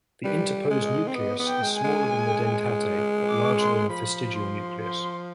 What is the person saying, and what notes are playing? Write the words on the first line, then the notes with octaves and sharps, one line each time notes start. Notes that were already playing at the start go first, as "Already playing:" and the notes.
The interposed nucleus is smaller than the dentate but larger than the fastigial nucleus.
G3 B4
G#3
D#5
C4
B3 D#5
B3
G5
G#3
G#5
G#3
D6
C6
F3 B5
C6
C6